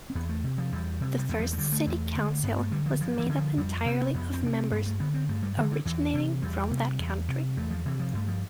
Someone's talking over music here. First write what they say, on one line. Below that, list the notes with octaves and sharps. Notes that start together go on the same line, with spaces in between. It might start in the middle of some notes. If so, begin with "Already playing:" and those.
The first City Council was made up entirely of members originating from that country.
C4
E2 B3
A3
C3
F3
E2 G3
C3
G3
E2 A3
F3
G3
A3
D3 G3
A3
E2
D3
G2 B3
A3
D3 G3
F3
G2 F3
E3
D3
F3
F2 G3
C3 C4
B3
F2 B3
C4
C3 D4
C4
G2 B3
A3
D3 B3
C4
G2 A3
G3
D3 E3
D3
E2 E3
C3
E2 G3
C3
E2
C3
E2 A3
F3
C3 E3
F3
G2 A3
F3